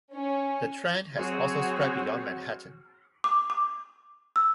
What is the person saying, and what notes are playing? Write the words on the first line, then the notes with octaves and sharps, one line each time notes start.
The trend has also spread beyond Manhattan.
C#4
F#3 C4 F#4 G#4 C#5
D6
D6
E6